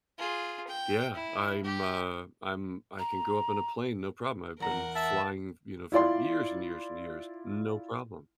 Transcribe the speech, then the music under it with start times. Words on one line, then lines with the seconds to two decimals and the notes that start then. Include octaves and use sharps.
Yeah. I'm, uh, I'm I can go up in a plane, no problem, I've been flying, you know, for years and years and years, no problem.
0.18 F4 G#4
0.67 G5
1.14 E4
1.64 G4
2.99 A#5
4.60 E2 A#4 F#5 A#5
4.95 E5 A5
5.92 E4 F4 D5 C6